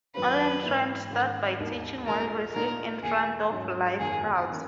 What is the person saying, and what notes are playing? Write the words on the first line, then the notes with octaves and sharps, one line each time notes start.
Allen trained Studd by teaching while wrestling in front of live crowds.
F#2 D#3 F#3 A#3 C#4 B4
G#2 E3 B3 E4
G#2 D#3 A#3 C#4
E1 D#2 D#3 A#3 D#4
A#1 A#2 G#3 A#4
A#1 A#2 A#3 D#4 A#4
E2 B2 A#3 G#4
G#2 F#3 C#4
F#1 E2 D#3 F#3 A#3 G#4
E3 A#3 C#4